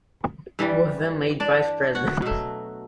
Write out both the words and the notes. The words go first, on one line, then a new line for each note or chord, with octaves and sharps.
He was then made vice president.
G2 E3 G3
D4 D5
F#4 F#5
B2 F#3 A3